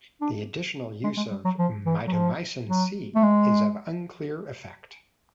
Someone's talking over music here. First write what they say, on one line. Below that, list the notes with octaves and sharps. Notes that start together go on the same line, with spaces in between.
The additional use of mitomycin C is of unclear effect.
D4
G#3
G#3
G3
F#3
F3
E3
F#3
F3
F#3
A3
G#3